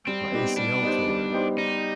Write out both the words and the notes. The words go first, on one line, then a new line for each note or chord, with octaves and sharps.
my ACL tore,"
G3 C4
B3 D#4 G4 C5
G3 D4
B3 D#4 G4 C5
G3
B3 D#4 G4 C5
G3 D#4